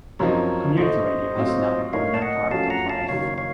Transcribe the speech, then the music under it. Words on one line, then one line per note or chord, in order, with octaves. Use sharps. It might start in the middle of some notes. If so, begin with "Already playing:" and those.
Community Radio has now become their part of life.
F#2 F3 C4 D#4 A#4 C#5
A2 A3 D#4 C5 D#5
A2 F#3 C4 F4
A2 A3 D#4 A#4 C#5 F5
A5
D#5 F#5
F#2 F3 A3 C#4 F#4 F5 A5
F#5 A#5
F5 A5
F#1 F#2 D#3 C#5 F5
C#5 F5